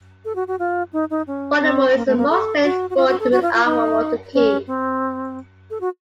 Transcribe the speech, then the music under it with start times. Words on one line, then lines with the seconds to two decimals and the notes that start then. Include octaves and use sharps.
Volleyball is the most played sport within Ahwatukee.
0.25 A4
0.36 F#4
0.48 F#4
0.59 F4
0.93 D#4
1.10 D#4
1.27 C#4
1.60 C4
1.95 A#3
2.07 A3
2.17 A#3
2.30 A4
2.64 F#4
2.90 F#4
2.97 F4
3.08 F#4
3.20 A4
3.32 F#4
3.42 F4
3.54 F4
3.65 D#4
4.34 C#4
4.67 C4
5.71 A4
5.81 F#4